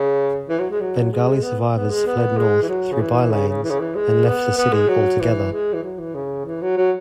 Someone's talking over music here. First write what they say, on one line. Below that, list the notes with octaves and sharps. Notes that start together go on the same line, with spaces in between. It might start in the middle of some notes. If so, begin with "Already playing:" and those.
Bengali survivors fled north through by lanes and left the city altogether.
Already playing: C#3
E3
F#3
G#3
F#3
G#3
B3
B3
G#3
B3
G#3
E3
F#3
C#3
E3
C#3
C#3
E3
C#3
E3
G#3
B3
B3
G#3
F#3
E3
G#3
E3
F#3
E3
C#3
E3
F#3
F#3